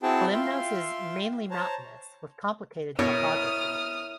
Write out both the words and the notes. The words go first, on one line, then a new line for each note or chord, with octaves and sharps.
Kalymnos is mainly mountainous with complicated topography.
C4 E4 F#4 G#4 G5 A5
F4 E5 F5 G5 C6
C5 C#5 A5 A#5
B2 E4 A#4 C#5 D#6 F6